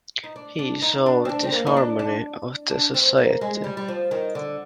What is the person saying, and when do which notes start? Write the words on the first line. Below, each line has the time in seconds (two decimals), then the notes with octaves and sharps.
He saw disharmony of the society.
0.24 D#4
0.36 D4
0.59 D4
0.82 D#4
1.06 D4
1.25 C4
1.29 D4
1.43 C4
1.52 A#3
1.67 D#4
1.77 D4
1.99 D4
2.70 D4
2.94 C4
3.18 A#3
3.41 G#3
3.64 G3
3.77 G3
3.88 F3
4.11 D#3
4.35 D3